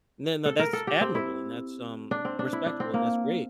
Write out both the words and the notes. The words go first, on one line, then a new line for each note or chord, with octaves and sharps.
the no that's admirable and that's, um, respectable and that's great.
A4
A#4
A4
G4
C4
E4
D4
C4
D4
E4
D4
C4
A#3